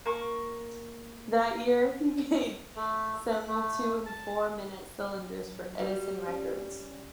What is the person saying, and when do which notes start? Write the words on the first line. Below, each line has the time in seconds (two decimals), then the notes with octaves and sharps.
That year he made several two and four-minute cylinders for Edison Records.
0.06 A#3 C#6
2.76 A3
3.32 F#6
3.47 A3
4.06 A5
5.18 F#3
5.79 G3 F#4
6.27 C#4